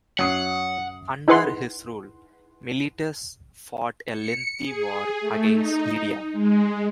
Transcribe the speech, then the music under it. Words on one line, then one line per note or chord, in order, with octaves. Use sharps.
Under his rule, Miletus fought a lengthy war against Lydia.
F#2 F#3 F#5 D#6 C7
D#4 E4 G#4 B4 F#5 C6
C#7
G#4
A3
D#4
G#3